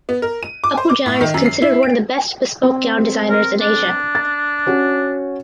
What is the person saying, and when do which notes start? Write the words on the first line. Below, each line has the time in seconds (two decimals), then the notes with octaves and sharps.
Apu Jan is considered one of the best bespoke gown designers in Asia.
0.09 B3
0.22 A#4
0.43 D#7
0.64 D6
0.77 C5
0.90 D6
1.06 A2
1.21 D#3
1.34 F#2
1.46 C7
1.62 E4
1.83 D7
2.63 C4
3.29 A#4
3.61 D4
4.15 A6
4.67 C#4 F#4 C#5